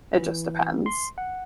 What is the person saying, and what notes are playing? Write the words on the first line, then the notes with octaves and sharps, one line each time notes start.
it just depends.
E3
C6
F#5